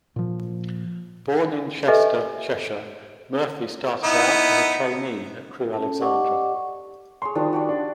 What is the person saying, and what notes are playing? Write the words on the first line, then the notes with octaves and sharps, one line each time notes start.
Born in Chester, Cheshire, Murphy started out as a trainee at Crewe Alexandra.
A#2 F3
G4 A4 B4 D#5 E5 G#5
B3 D#4 E4
C#4 A4 A5
G4 D5 D#5 F#5 C#6 D6
G#4 C#5 C6
D#3 F3 G3 D4
F#4 G4 D5
D4